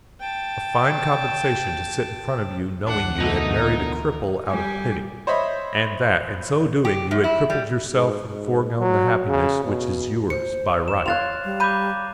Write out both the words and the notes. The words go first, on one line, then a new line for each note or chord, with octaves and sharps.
A fine compensation to sit in front of you knowing you had married a cripple out of pity, and that in so doing you had crippled yourself and foregone the happiness which is yours by right.
G5 A5
D2 E3 D4 F#5
B2 D3 D#3 A3 D#4 D#5
A#4
G3 G4 G#5
C5 C#5 D#5 E5 B5
G4
F#2
E4
G3
G#2
G#2
F#3
C#3
B2
C5 C#7
E7
C#5 F5 C6 F#6 A6 F7
G3
A#5 B5 D6 G6 D#7